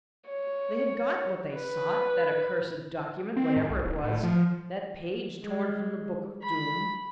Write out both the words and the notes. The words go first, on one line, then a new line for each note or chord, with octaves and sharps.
They had got what they sought, that accursed document, whatever it was, that page torn from the Book of Doom.
C#5
B4
C4
G#2
C2
D#1
A2
F3
G#3
B5